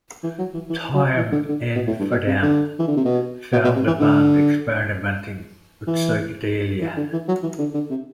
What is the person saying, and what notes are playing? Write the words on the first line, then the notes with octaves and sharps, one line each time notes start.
Time In for Them, found the band experimenting with psychedelia.
E3
F#3
E3
E3
F#3
E3
D3
D3
B2
A2
G2
B2
C3
D3
E3
D3
C3
B2
B2
B2
C3
E3
D3
E3
E3
D3
E3
F#3
E3
D3
D3
C3